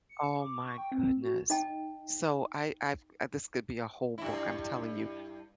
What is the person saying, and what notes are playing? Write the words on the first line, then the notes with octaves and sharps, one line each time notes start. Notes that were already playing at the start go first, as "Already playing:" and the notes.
Oh my goodness, so, I I've I've this could be a whole book, I'm telling you.
C#7
D6
C#6
G5
C4
F#4
D#4 D#5 G5 A5
G2 E4